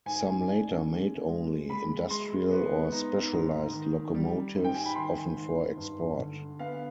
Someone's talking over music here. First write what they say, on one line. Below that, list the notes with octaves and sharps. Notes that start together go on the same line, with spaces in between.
Some later made only industrial or specialised locomotives, often for export.
G#2 G#5
D4
G#3
G#3
G#3 B5
G#3 C6
B3
D#4
G#2
D#3
G3
G#2
G5
G#5
B5
D#3 C6
G#2
G2
D3
B3 F5